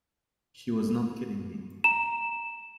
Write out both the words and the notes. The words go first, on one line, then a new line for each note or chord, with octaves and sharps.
She was not kidding me.
A#5 E7